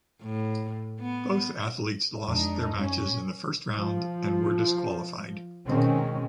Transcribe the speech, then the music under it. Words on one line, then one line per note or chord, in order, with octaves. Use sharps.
Both athletes lost their matches in the first round and were disqualified.
A2
B3
F2 G#3 D4 D#4
F#2 C#4
F3
B2 D#3 G#3 C4 C#4